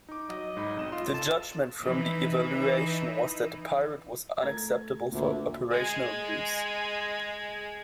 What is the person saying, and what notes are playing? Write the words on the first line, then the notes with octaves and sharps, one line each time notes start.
The judgment from the evaluation was that the Pirate was unacceptable for operational use.
D#4 D6
F#3 D#5
G#2 D#4 B5
B1 C4 E7
F4 C6
A4 A5
E3 D#4
A3 A#5 G#6
D2 A#2
G#3 G#4